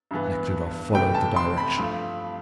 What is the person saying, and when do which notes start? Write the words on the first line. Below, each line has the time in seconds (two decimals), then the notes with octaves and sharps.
Nekhludoff followed the direction.
0.11 G2 E3 B3
0.94 C2 C3 E3 A3 G5
1.15 A5
1.36 C6
1.57 B5
1.77 G2 F3 A3